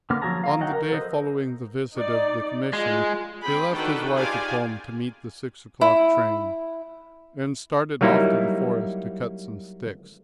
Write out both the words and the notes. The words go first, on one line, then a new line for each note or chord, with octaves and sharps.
On the day following the visit of the commission he left his wife at home to meet the six o'clock train, and started off to the forest to cut some sticks.
D3 A#3 B3 F5 F6
F3 F#3 G#4 A5 A#5
F5 A#5
F#3 D#5 F#5 G5
A#4
A4 B4 C5 D#5
D#4 D5
G#3 F4
C4 G#4 G5 B5
D#3 D4 F#4 A4 B4 G5
D#4 F4 G4 G#4 D5 G#5
E4
F#3 G3 A#3 D#4 E4